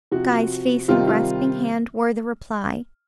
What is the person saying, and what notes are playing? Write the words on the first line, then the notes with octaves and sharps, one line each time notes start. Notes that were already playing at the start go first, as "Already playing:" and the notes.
Guy's face and grasping hand were the reply.
C3 F3 F#4
C3 D#3 G3 F4
F4